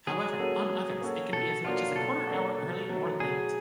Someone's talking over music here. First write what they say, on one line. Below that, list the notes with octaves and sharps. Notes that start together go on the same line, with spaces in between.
However, on others, it can be as much as a quarter-hour early or late.
F#3 G#4
A#3 C#4 F#4 A4
F#3
A#3 C#4 F#4 A4
B2 A4
F#3 A#3 D4 F4 F#4
B2 A4
F#3 A#3 D4 F#4
B2
F#3 A3
B2 G#4